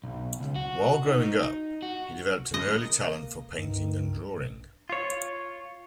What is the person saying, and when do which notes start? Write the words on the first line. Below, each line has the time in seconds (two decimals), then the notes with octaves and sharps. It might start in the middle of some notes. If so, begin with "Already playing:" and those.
While growing up, he developed an early talent for painting and drawing.
0.04 B1
0.40 C#2
0.56 F#4
1.06 D#4
1.82 F#4
2.54 A#3 D#5
3.58 G2 D#3
4.90 F4 C#5